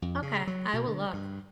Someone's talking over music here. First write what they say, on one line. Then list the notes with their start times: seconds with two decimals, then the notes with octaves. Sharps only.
Okay, I will look.
0.02 F2
0.22 C#3
0.47 F#3
0.74 B2
0.87 D3
1.13 G2